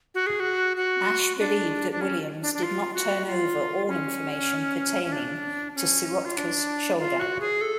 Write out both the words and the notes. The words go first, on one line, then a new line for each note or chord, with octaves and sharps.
Ash believed that Williams did not turn over all information pertaining to Sirotka's shoulder.
F#4
G#4
F#4
F#4
D4
D4
C#4
D4
D4
F4
F#4
F4
C#4
C#4
D4
C#4
F4
D4
F4
F#4
G#4
A4